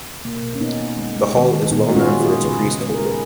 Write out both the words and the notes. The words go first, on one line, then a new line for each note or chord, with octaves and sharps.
The hall is well known for its priest hole.
B2 A#3
B2
C#4
B2 B3 D#4
A#3
G#3
G#3
D#3
D#3
A#2 B3 D#4
G#3 F#4
C#4 F4
G#3
F4 G#4
G#3
C#3 G#4 B4
C#3
G#3 B4
A#4
G#3
G#4 B4